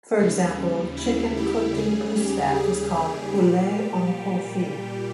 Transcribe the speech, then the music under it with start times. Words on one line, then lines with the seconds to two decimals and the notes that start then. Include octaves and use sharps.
For example, chicken cooked in goose fat is called "poulet en confit".
0.18 D#2 C#3 G3
0.97 E4
1.37 G4
1.76 D#2 C#3 G3 G#4
2.16 G4
2.56 G#4
2.95 G4
3.35 A#2 G3 G4